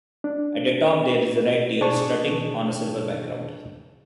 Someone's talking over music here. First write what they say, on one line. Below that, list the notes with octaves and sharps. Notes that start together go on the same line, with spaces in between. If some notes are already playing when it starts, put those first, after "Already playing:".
At the top there is a red deer strutting on a silver background.
D4
B2 D4 G#4 A5 C#6